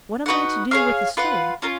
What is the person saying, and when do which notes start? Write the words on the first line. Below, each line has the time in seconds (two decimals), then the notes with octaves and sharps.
"What am I to do with a stone?"
0.26 D#4 F#4 B4 F#5
0.71 G#4 C#5 F5
1.17 F4 B4 F#5
1.62 C#4 F4 A#4